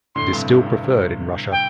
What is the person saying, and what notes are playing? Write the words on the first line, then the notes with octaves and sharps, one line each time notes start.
It is still preferred in Russia.
A2 D3 C6
G2 C3
G2 C3
G2
G2
G5